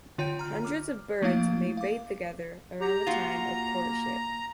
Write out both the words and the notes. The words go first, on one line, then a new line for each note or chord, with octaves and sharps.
Hundreds of birds may bathe together around the time of courtship.
D3 F4 C#5 G5 G6 D7
A#5 F6
D6 F6
F3 A3 A#3 E4 F5 A6
F5 D6
G4 A#5
A#3 F4 F#4